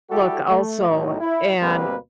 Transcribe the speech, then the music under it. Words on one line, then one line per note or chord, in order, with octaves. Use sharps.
look also. And
G3 E4 F#4 G4 A4
A3
B1 A2 D#4
E4
D2 B2 G3 A#3 C4 B4